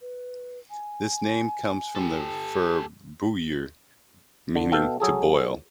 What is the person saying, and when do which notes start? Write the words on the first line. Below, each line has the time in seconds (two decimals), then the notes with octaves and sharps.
This name comes from the verb "bouillir", meaning "to boil".
0.01 B4
0.70 G#5
1.95 G4 A4
4.55 D3
4.72 B2 A4 F5 G5
5.00 F#3 G#4 A4